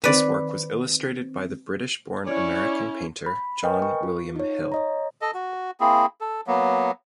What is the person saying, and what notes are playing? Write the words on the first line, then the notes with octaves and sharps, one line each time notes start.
This work was illustrated by the British born American painter John William Hill.
D#3 C4 B4 D5
C#4 E4 C#5 D5
B5
A#4 B4 D#5 G5 G#5 F6
B5 C#6
F4
D#4 C#5
C#5 D#5 A#5
A4 D#5
F#4
A#3 C4 E4 G#4
A4
F#3 A#3 B3